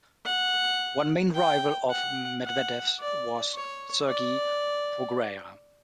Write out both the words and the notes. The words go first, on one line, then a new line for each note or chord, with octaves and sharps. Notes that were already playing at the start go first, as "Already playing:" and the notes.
One main rival of Medvedev's was Sergi Bruguera.
F#5
G5
F#5
F#5
D5
C#5
D5